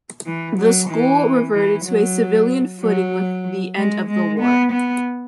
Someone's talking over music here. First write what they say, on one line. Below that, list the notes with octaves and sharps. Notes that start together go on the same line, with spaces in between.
The school reverted to a civilian footing with the end of the war.
E3
F#3
E3
E3
F#3
F#3
G#3
G#3
B3
B3